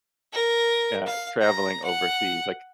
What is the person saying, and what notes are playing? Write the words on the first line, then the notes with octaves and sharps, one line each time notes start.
Yeah, traveling overseas, like
A#4
F5
A#5
F#5